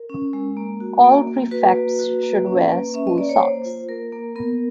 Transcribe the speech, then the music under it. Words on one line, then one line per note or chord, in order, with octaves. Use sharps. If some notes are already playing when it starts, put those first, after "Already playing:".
All prefects should wear school socks.
Already playing: A#4
C#4
G#3
A#3
F#4
A#3
A#3
F#4 B4
A#3
F#4
A#3
C#4
A#3
C#4 E5
D#5
A#3 D5
C#5
A#3 C5
F4
A#3 A#4
A#3
B3 A#4